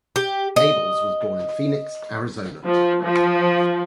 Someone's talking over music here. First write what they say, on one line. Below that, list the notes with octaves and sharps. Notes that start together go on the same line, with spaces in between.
Abels was born in Phoenix, Arizona.
G4
D#5
F3
F3